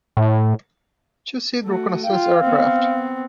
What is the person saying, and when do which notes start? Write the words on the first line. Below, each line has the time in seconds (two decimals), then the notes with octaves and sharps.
Two-seat reconnaissance aircraft.
0.17 A2
1.63 A3 F#4
2.05 F4 F5 G5
2.42 B3 C4